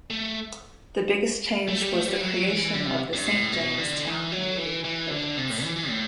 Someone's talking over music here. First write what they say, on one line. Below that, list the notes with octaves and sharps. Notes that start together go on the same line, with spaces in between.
The biggest change was the creation of the Saint James Town Community Projects.
A3
A3
G3
A3
G3
F#3
E3
D3
C3
G2
A2
B2
D3
E3
F#3
E3
E3
D3
C3
A2
E3
E3
A2